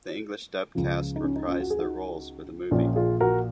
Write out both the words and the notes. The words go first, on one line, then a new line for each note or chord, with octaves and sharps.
The English dub cast reprised their roles for the movie.
C#2 C#3 F3
D#4
C#4
D#4
C#4 F4
F#4
G#4
D#4 F#4
A#1 A#2 F3 C#4 F4
F4 G#4
F#4 A#4